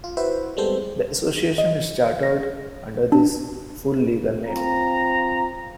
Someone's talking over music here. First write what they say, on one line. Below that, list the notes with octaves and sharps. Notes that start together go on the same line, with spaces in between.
The association is chartered under this full legal name.
F4
E4 F#4 B4 C5 E5
G3 G#3 B3 C4 A4 C5
D#5
A#6
D4
C4 F4 A#5